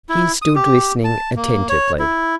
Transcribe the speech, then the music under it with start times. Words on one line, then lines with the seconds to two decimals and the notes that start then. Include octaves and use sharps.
He stood listening attentively.
0.09 E4
0.42 D#6
0.55 G4
1.04 A5
1.36 A#3
1.69 C#5
1.99 E4